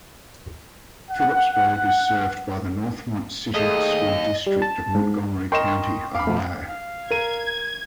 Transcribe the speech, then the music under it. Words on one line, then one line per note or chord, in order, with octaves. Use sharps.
Phillipsburg is served by the Northmont City School District of Montgomery County, Ohio.
F#5
D#2 A3 G#4 D#5
G3
A5
G#2
A#4 D#5 G5 C6 C#6 E7
F5 B5 D6
B2 F3 A3
F5
A#4 G#6 D#7